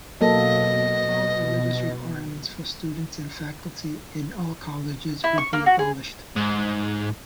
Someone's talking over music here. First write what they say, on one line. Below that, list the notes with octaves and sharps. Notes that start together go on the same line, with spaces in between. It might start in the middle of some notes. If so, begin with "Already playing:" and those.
All religious requirements for students and faculty in all colleges would be abolished.
B2 F#3 A#3 A4 D#5
E4
C#6
A#3
F#4
G#4
G#2